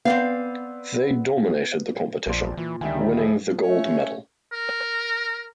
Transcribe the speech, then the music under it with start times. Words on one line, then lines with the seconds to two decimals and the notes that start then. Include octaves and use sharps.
They dominated the competition, winning the gold medal.
0.05 B3 C4 D5 F5
2.27 A#1 F2 D5 C6
2.57 A#2 E3
2.81 D2 D#3 G3 E5 G5 G#5
3.17 F3 E4 G#4
3.44 F3
3.61 A3 C#4
4.52 A#4